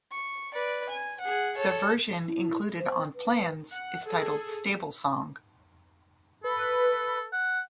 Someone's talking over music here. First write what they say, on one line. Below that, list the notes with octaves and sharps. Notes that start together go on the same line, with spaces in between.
The version included on "Plans" is titled "Stable Song".
C#6
B4 D5
G#5
G#4 F#5
A4 C#5
E4
C5
B4
F#5
G#4 A4
A4 B4
F#5